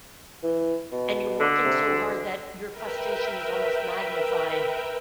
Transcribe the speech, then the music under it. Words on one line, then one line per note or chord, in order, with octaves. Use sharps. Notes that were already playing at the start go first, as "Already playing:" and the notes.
and you're working so hard that your frustration is almost magnified
E3
B2
D3
C3
D2
A#4 B4 E5 G5